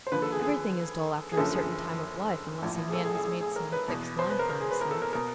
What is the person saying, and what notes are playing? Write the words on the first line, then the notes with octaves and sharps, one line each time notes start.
Everything is dull after a certain time of life unless a man has made some fixed line for himself.
C5
D#2 D3 F3 B4
A4
G#4
G#4
G#4
F#1 F#2 D3 F3 A4
G#4
A#1 A2 F3
G#4
A4
G#4
G#4
G#4
G#4
A#4
B4
E2 B2
C5
B4
A#4
A#4
G#4
B4
A#4
A4
A#4
B2 A#4